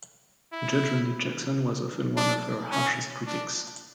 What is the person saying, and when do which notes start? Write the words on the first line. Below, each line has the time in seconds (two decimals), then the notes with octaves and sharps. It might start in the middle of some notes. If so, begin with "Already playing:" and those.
Judge Randy Jackson was often one of her harshest critics.
0.53 E4
2.17 D4
2.72 C#4
3.27 D4